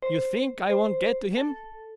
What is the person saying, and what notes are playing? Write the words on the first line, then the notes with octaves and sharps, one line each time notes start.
You think I won't get to him?
C5
C5
A4